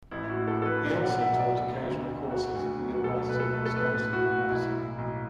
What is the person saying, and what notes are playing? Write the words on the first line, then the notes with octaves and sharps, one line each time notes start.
He also taught occasional courses at the University of Wisconsin-Madison.
A1 E4
E4
F#4
A2
A4
A1 A4
B4
B1 D5
F#5
B2
E5
B1
D5
D2 A4
D3
D2
E1 F#4
D2
F#3
F#4
B1 A4
B2 B4
A4
A3
A4
A1 B4
A2
F#4
A3
B1 E4
A2
B1